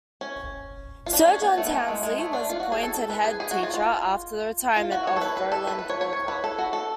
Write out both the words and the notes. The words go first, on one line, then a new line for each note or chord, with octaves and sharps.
Sir John Townsley was appointed head teacher after the retirement of Roland Walker.
C#4
F4
D4
C#4
B3
A3
B3
A3
G#3
G#3
A3
D4
F4
F#4
G#4
A4
A4
B4
G#4
G#4
F#4
F4
F4
F4
F#4
C#5
A4
B4
B4
A4
B4
B4
C#5
C#5
C#5
B4
A4
F#4
A4